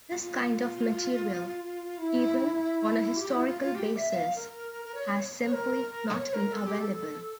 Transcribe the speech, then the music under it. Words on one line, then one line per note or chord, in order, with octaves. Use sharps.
This kind of material, even on a historical basis, has simply not been available.
F4
E4
G4
E4
F4
F4
G4
E5
E5
F5
A#4
A#4
C#5
C#5
A#4
C#5
C#5
A#4
A4
G4
A4